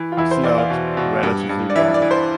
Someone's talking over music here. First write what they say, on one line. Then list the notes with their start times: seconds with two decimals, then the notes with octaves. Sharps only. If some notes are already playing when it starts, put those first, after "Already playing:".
Snout relatively long.
Already playing: E3
0.12 F4
0.17 E2 E4
0.31 C5
0.43 E2 D5
0.58 F5
0.70 B2
0.97 B2
1.23 G2
1.49 G2
1.70 D5
1.75 E3 E5
1.94 D5
2.02 E3
2.11 C5